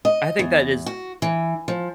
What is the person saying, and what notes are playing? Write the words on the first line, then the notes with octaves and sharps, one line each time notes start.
I think that is,
D#5
E2
F#4
E3
F3